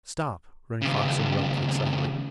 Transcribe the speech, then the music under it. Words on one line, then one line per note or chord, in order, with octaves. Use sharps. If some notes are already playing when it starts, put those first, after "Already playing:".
"Stop!" Running Fox interrupted, excitedly.
D#2 C#3